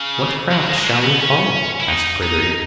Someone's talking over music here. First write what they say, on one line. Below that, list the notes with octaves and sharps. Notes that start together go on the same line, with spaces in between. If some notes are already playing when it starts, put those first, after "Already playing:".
'What craft shall we follow?' asked Pryderi.
Already playing: C#3
F#3
G#3
G#3
A3
B3
C#4
E4
D#4
D#4